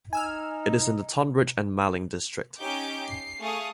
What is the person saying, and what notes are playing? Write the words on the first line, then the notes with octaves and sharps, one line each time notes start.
It is in the Tonbridge and Malling district.
D#4 G#5 E6 F6
C#4 D#4 G4 D6 G6
C7
A3 G#4 F5 C#6 D#6